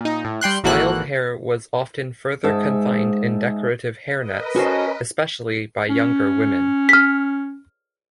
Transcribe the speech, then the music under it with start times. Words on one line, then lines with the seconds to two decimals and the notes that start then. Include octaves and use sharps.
Styled hair was often further confined in decorative hairnets, especially by younger women.
0.01 A#2 D#4
0.25 A2
0.41 G3 G5 C6 F#6
0.64 G#1 E3 A#3 F#4 A4 F#6
2.44 G#2 E5 A5
4.18 A#4 B4 D#5
4.56 C#4 F#4 A4 C5
5.90 C#4
6.89 F6 B6